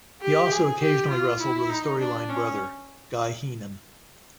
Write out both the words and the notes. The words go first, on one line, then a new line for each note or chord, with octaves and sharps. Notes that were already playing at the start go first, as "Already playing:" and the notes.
He also occasionally wrestled with a storyline "brother" Guy Heenan.
G4
G#4
G4
F4
E4
D#4
D4
C#4